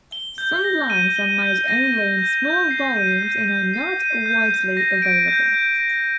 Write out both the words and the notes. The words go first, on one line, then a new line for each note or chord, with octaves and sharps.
Some blanks are made only in small volumes and are not widely available.
G7
G6
A#6
D#7
G7
G6
A#6
D#7
G6
G6
C7
D#7
G6
G6
C7
D#7
G6
G6
A#6
D7
G6
G6
A#6